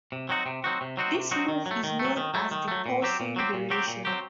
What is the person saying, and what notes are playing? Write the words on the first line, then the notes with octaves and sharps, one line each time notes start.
This move is known as the Paulsen Variation.
C3
F#3 C4 D#4 F#4
C3
F#3 C4 D#4 F#4
C3
F#3 C4 D#4 F#4
C3
F#3 C4 D#4 F#4
D#3
F#3
A3
D#3
A3
F#3
D#3
F#3 A3
D#3
F#3 A3
A#2
F#3 C4 G4
A#2
F#3 C4 G4
A#2
F#3 C4 G4
A#2
F#3 C4 G4